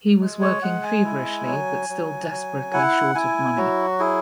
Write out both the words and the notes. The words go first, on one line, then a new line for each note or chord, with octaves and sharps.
He was working feverishly but still desperately short of money.
G#3
C#5
G#3 F#5
G#5
E4
F#3
F#3
F#3
E4 F#5
E4 G#5
F#3 F#4
E4 G#4